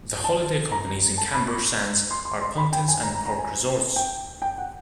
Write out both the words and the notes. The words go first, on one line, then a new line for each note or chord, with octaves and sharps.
The holiday companies in Camber Sands are Pontins and Park Resorts.
A5
A#5
A5
B5
C#6
C6
C6
C6
B5
G5
G#5
A#5
A#5
A#5
G#5
G5
G5
F#5